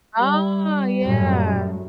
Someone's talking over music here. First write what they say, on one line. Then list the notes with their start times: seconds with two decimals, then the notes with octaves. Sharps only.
Oh, yeah.
0.19 G3
1.03 F#2 A2